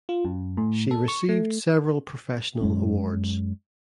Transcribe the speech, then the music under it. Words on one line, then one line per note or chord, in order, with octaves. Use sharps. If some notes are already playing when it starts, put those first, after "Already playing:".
She received several professional awards.
F4
F#2
A2
A4
C#6
A3
F#2 G#3 C#4